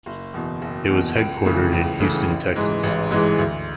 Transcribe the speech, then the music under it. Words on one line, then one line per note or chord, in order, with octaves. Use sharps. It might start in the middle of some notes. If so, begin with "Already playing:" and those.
It was headquartered in Houston, Texas.
F#1
E2 B2
F#1
E2 B2
C#2
C#3 E3 A3
C#2
C#3 E3 A3
A1
G#2 E3 G#3
A1
G#2 E3 G#3
D2